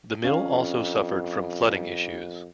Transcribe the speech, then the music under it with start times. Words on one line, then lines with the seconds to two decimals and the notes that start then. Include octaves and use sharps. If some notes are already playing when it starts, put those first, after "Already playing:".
The mill also suffered from flooding issues.
0.24 F2 C#4 F5